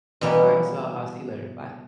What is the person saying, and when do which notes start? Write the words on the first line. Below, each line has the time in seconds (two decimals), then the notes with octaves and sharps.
all right, so I'll see you later, bye.
0.21 B2 E3 G3 A#3 B3